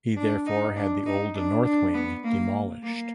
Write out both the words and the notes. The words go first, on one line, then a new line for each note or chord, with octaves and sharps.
He therefore had the old north wing demolished.
D4
D#4
D4
D#4
D4
D4
B3
A#3
A#3